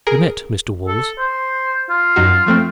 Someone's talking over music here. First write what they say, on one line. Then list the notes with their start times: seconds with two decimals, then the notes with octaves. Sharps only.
We met Mr. Woolls.
0.07 G#4 A#4
0.88 A4
1.18 C5
1.90 F4
2.16 F#2 D#4 F#4
2.46 F3 A3 C4